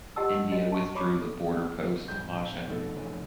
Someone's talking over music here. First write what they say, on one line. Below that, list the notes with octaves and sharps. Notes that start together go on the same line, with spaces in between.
India withdrew the border post to Maja.
G4 D#5 F#5 A5 E6
D#5
A5 C#6
C#5 B5 C#6 D6
A4
E1 G#2 G3 G6
A#1
F1 B2 A4
F2 C#3 E3